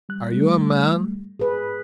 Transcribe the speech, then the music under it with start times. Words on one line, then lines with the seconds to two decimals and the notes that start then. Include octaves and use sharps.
Are you a man?
0.09 G3 F#6
0.33 G3 A3
1.40 G#2 G#4 B4